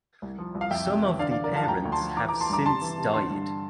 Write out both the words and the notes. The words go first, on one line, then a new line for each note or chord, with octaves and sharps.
Some of the parents have since died.
C2
F3
C2
F5
F2 E5 G5
C3
E3
D3 D5 F5
D5 F5
D3
A#4 D5
F3 F5 A5
A5
D2 G5 A#5
D2
A5 C6
F3
E3 A#5 D6
A#5 D6
E3
A5 C6
G2 A#5 D6
C3 A5 C6
E3
C3
D3 A5 C6
G2